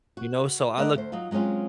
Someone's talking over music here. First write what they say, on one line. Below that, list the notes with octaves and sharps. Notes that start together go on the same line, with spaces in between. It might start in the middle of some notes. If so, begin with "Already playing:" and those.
you know, so I look
F#4
A3 A#4 D5 D#5 F#5
D2 C5
F#3 D#4 F4
F#3 G#3 C4 C#4 F4